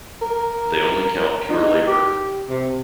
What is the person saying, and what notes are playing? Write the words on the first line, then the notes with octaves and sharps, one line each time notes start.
They only count pure labour.
A#4
D#4
G4
C3